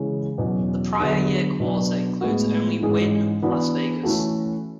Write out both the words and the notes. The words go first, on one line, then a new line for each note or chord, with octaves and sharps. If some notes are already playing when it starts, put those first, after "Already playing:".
The prior year quarter includes only Wynn Las Vegas.
Already playing: C#3 E3 G#3 C#4 G#4
E2 B2 F#3 C#4 F#4
D3 F#3 B3 D4 G#4
B2 F#3 B3 D4
A2 G#3 B3 F#4
G#2 E3 G#3 C#4 G#4
E3 B3 D4 F#4
E3 A3 C#4 F#4 A4